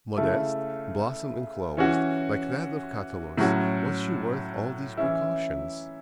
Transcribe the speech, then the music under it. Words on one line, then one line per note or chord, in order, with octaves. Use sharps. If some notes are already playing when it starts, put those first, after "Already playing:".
Modeste,--blossom enclosed, like that of Catullus,--was she worth all these precautions?
C#3 A3 E4
E3 C#4 F#4
A2 F#3 C#4 F#4
E3 C#4 E4